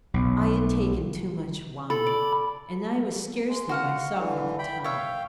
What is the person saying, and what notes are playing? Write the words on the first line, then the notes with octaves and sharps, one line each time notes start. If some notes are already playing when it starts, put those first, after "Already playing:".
I had taken too much wine, and I was scarcely myself at the time.'
B1
A4 B5
D5
G#3
F#4 F5 F#5
D3 E3
G5 B5
C#5 E5 F5 G5